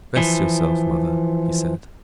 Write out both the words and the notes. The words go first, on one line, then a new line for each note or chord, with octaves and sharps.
"Rest yourself, mother," he said.
E3 F3